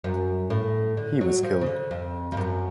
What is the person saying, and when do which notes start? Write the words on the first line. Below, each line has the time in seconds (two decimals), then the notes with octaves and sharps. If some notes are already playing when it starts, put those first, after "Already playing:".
He was killed.
0.04 F#2
0.50 A2
0.97 D3
1.21 F#3
1.43 F3
1.61 C#3
1.66 D3
1.91 F2
2.32 F2
2.37 F#2